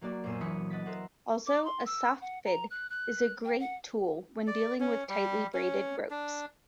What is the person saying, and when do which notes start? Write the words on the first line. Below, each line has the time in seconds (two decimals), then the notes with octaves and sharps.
Also a Softfid is a great tool when dealing with tightly braided ropes.
0.01 F#3 A#3 F#4 D5
0.24 F#2 A#2 B3 C5 E6 D#7
0.40 A#1 E3 B5 D#6 C#7
0.70 D#5 F#5 D#6 A6 B6
0.86 A#4 C5 E5 F#5
1.46 D6
1.65 C6
1.86 E6
2.21 F#5
2.45 A#5
2.71 F#6
2.90 F#6
3.45 G5
3.60 F#5
4.47 D5
4.80 C#4
5.09 G3
5.54 C#4
6.10 D4